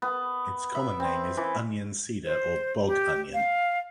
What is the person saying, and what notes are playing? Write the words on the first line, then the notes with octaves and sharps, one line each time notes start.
Its common name is onion cedar or bog onion.
B3
E5
C4
E3
C5
G4
F5